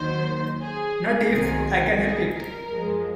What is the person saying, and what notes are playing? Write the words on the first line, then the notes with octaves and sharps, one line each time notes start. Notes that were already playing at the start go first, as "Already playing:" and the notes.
Not if I can help it.
Already playing: D#2 D#3 F#3 C5
G#4
C2 C3 D#3 F#3 G#4
G#4
A#4
F#2 F3 G#3